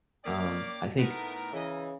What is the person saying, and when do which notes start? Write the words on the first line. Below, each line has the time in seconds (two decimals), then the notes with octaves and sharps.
Um, I think
0.24 A#3 C#4 D5 G5 D6
0.98 A2 A3 B3 D#4 A#4
1.53 C#3 E3 A#4 D#5